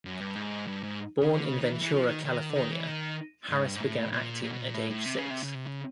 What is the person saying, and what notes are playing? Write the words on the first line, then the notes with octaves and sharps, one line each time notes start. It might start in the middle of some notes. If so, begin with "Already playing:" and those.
Born in Ventura, California, Harris began acting at age six.
F#2
G2
G#2
G2
G#2
C#3
D3
C#3
D#3
E3
E3
F3
D#3
D#3
D3
D#3
E3
D#3
G#2
G2
G#2
A2
A#2
A#2
B2
A#2
A2
A2
C3
C#3
C3
C#3
C3
C#3